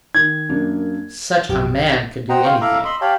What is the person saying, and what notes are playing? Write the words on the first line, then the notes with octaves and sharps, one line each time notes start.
Such a man could do anything.
D#3 G#6
F#2 A#3 D4
A#1 F#2 F3 G4
C5 D#5 F#5 G5 A#5
F4 F5 G5 C#6
E4 A4 E5 F5 A#5 D6
D#5 B5 C6 E6
G4 C#5 F5 G5 A5 B5